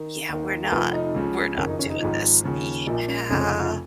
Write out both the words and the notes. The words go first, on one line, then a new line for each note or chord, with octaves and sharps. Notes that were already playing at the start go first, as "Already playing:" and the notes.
"Yeah, we're not we're not doing this." Yeah.
Already playing: D#3
D#2 D#3
A#4
F1 F2 F3 B4
D#4
C#2 C#3 F3
F#1 F2 D#3 C#4
D#4
C#4
D#4
G#1 G#2 F3
D#2 C#3 F3
A#1 A#2 F3 D#4
C#4
F1 F2 C#3 C#4
C#4
D#4
F4